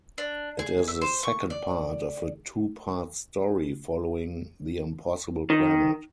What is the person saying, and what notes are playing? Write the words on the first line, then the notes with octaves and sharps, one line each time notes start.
It is the second part of a two-part story, following "The Impossible Planet".
D4
G#4
E5
C5
C#6
D5
D#3